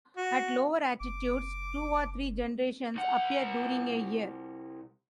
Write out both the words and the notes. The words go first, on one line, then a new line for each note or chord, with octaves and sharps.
At lower altitudes, two or three generations appear during a year.
F#4
F#1 D6
C2 F#5